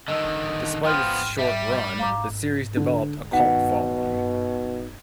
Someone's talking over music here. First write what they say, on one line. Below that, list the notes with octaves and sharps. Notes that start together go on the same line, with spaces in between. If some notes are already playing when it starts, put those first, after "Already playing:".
Despite its short run, the series developed a cult following.
D3 D#3 D#5 E6
F3 B3 G5 C6 F6
G3 E5
F5 A#5 D6
D3
B2 D#3 F#5